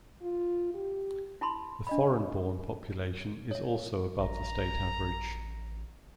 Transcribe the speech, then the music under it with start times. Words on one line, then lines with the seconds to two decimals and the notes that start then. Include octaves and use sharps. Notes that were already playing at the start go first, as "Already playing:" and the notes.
The foreign-born population is also above the state average.
0.22 F4
0.74 G4
1.41 E4 A5 B5 C6
1.87 D4 D#5 B5
3.51 C#5 E5
4.19 A1 A#5